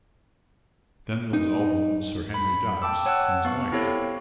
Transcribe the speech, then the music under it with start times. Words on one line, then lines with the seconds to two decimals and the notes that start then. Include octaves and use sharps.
Then there was Alderman Sir Henry Dabbs and his wife.
1.33 D#4
2.34 B5
2.82 G5 A5 D6 E6
3.06 C#5 F#5 A5 E6 F#6
3.45 B3 F5 C#6
3.72 C4 E4 G4 A4 C#5